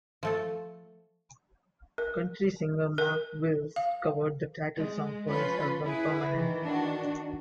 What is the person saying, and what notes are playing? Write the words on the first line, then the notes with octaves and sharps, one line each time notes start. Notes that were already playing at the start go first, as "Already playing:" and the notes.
Country singer Mark Wills covered the title song for his album Permanently.
F3 A3 A4
A#4
A#4
F5
G#3
F3 C#4 F4 B4
E4 G#4 B4
D#3 E3
D#3 D4 F#4